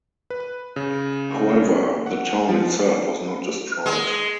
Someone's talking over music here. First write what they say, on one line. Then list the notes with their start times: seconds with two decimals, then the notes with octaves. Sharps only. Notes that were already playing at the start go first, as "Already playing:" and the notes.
However, the town itself was not destroyed.
0.30 B4
0.76 C#3
2.06 F#5
2.49 F3
3.86 G#3